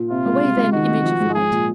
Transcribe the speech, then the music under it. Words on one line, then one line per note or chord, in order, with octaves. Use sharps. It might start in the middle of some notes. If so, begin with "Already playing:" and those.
Away, then, image of light!
Already playing: A#2
C3 F4
C#2
C3
C#2
D#3 F#4
C3
F3
G#2
F3 G#4
A#2